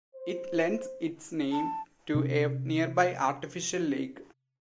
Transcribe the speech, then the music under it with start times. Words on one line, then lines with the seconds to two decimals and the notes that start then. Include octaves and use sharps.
It lends its name to a nearby artificial lake.
0.15 C5
1.52 A5
2.14 C3 C#4